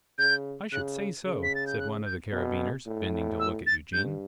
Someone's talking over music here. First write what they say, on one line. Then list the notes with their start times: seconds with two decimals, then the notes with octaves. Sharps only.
"I should say so," said one of the Carabineers, bending to look at Eugene.
0.19 C#3 G6
0.72 C#3 F#6
1.26 C#3
1.43 B6
1.55 A6
1.67 G6
1.79 F#6
2.06 G6
2.32 B2
2.86 A2
3.40 E6
3.67 A6
3.93 G2 G6